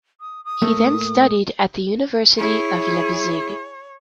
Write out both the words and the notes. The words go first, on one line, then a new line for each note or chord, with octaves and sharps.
He then studied at the University of Leipzig.
D#6
D#6
A2 A3 A#3
E4 G#4 C#5